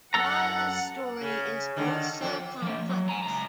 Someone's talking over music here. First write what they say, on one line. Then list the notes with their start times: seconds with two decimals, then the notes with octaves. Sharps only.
Leila's story is also complex.
0.14 F#2 A4 F#5 A#5
1.21 C#3
1.76 D3 D#3
2.21 F2 C4
2.62 F3 A#3
2.89 F#3
3.08 G#5 A#5
3.23 C#2 A#5